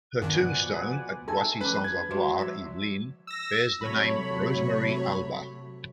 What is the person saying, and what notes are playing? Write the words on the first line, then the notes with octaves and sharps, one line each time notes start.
Her tombstone at Boissy-sans-Avoir, Yvelines, bears the name Rosemarie Albach.
G2 B2 D#3 F3 B4 D5 F#5 G#5
D#4 A4 G#5
F3 A3 C#4 B4
G#6
G#3 D4 F#4 C5 C#5
F3 F#3 E5
E6 A#6
C3 F#3 A3 C#5 B5